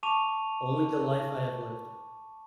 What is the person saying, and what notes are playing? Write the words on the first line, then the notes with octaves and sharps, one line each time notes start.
Only the life I have lived.
A5 C#6 D6 D#7 F7